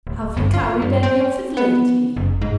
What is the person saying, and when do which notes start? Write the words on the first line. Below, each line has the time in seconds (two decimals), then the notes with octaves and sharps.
"Have you carried any of It lately?"
0.07 D1
0.37 G1
0.54 F4
0.82 G2
1.03 C4
1.57 B3
2.16 F#1
2.42 G#2